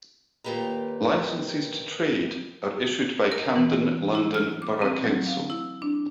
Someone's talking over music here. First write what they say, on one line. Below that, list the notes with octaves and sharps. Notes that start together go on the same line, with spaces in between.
Licences to trade are issued by Camden London Borough Council.
D#2 A#2 A#3 G4 B4 A#5
A#4
E3
E4
F6
D6
C4
F#3
F5
E4
D4